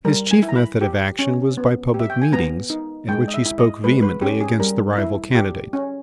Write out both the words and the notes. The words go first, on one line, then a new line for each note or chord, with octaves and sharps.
His chief method of action was by public meetings at which he spoke vehemently against the rival candidate.
G3 A#4
G#5
E4
A#5
B5
G4
C#4
B3
G4
E5
G5
G#5
B3 A#5
D#4
G#3 G5
D#5
E5
E4
D#5
G#3 B4
B4
C#4 G4
G#4
G3 A#4
E4
G4
C#4